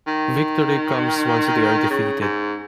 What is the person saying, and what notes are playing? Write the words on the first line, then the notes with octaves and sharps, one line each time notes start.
Victory comes once they are defeated.
D#3
C#3
G#2